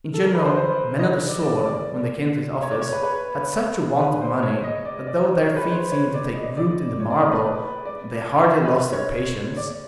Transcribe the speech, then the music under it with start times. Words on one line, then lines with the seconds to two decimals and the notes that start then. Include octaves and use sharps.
In general, men of the sword, when they came to his office, had such a want of money, that though their feet seemed to take root in the marble, they hardly lost their patience.
0.14 A4
0.25 A#4
0.35 B4
0.45 C5
0.57 C5
0.99 D#5
1.28 D5
1.42 D5
1.64 D5
1.74 D5
2.62 C#5
2.71 D5
2.81 C#5
2.93 B4
3.03 B4
4.00 B4
4.21 C5
4.43 C#5
4.64 D#5
4.85 D5
5.07 D5
5.29 D5
5.42 C#5
5.57 B4
5.71 C5
5.92 C#5
6.14 D5
6.35 D#5
6.57 D5
7.00 C#5
7.10 D5
7.21 D5
7.32 B4
7.85 D5
8.65 B4
8.71 C5
8.93 C#5
9.57 D5